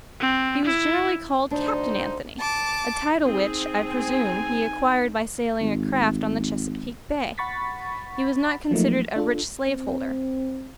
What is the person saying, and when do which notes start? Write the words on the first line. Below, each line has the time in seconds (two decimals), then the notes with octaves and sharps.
He was generally called Captain Anthony--a title which, I presume, he acquired by sailing a craft on the Chesapeake Bay. He was not considered a rich slaveholder.
0.20 C4
0.65 E4
1.51 D2 D4 D#4 C5
2.40 A5 D6
3.25 C4 D#4 G#4
3.87 G#5
5.61 G#1
7.38 F#5 B5 C#6 A6 B6
8.71 F3 F#3 A3 A#3 D#4
9.16 D4 F4 A4
9.67 C4